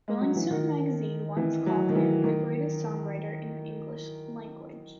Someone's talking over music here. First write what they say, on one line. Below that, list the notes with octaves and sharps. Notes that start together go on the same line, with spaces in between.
"Rolling Stone Magazine" once called him "The greatest songwriter in the English language".
G#3
F#3
E3
D#3
E3
F#3
D#3
E3
D#3